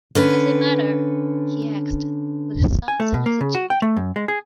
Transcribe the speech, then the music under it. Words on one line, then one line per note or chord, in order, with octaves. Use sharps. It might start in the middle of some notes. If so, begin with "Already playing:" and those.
"Does it matter," he asked, with some solicitude.
D3 C#4 B4
G#5
A3
B2
A#3
C#3
F#4
G5
A3
F#2
G#3
G#4